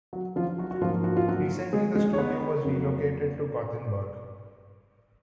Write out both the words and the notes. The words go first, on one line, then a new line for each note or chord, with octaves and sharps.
Recently, the studio was relocated to Gothenburg.
F#3 F#4
F3 F4
F#3 F#4
F#4
G#2 F3 A#3 F4
F#4
F4
F#3 F#4
G#3 G#4
G#3 G#4
C#5
B3 B4
F2 C#3 F#3 A#3